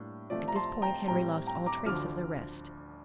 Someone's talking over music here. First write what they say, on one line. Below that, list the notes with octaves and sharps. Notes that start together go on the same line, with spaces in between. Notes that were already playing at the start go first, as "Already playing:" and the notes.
At this point Henry lost all trace of the rest.
Already playing: A2 G3 A#3 D4
C3 F3 A3 C4 D5
A#5
A5 C6
G5 A#5
A2 G3 C4 G5 A#5
G5 A#5
A#5 D6
D2 D3 F3 D6 F6